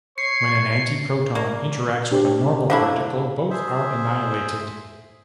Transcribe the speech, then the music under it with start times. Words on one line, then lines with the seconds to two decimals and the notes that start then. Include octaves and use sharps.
When an antiproton interacts with a normal particle, both are annihilated.
0.18 C#5 C#6 C7 C#7
1.35 A#3 D5
2.11 D4 G4 C5
2.70 F#3 D4 E4 A4 C5 F5
3.50 G#4 C5 E5